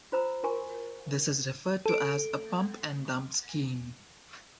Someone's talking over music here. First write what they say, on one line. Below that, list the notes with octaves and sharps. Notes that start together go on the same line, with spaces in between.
This is referred to as a "pump and dump" scheme.
F4 C5 A#5 E6
F4 F#4 A#4 G#5 C#6
A4 D7